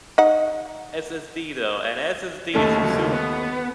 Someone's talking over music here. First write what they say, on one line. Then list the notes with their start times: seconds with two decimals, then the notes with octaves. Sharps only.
SSD, though, an SSD is a soup
0.18 D#4 F#5
2.55 D#2 A3 C#4 A4
2.79 D2 F#3
2.95 C#2 D#3
3.12 B3